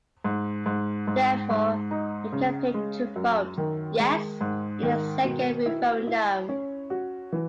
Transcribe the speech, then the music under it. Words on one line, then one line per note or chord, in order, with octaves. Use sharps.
Therefore, it campaigned to vote "yes" in the second referendum.
G#2
G#2
G#2
G#2
D#4
C#3
G#3
F#2
D#3
G#3
G#2
D#3
B2
E4
E4
C#4
F#4
E3